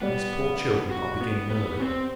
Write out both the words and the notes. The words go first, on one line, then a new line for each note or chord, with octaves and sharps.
These poor children are beginning early.
G3 B3
F#4
B3
B3
C4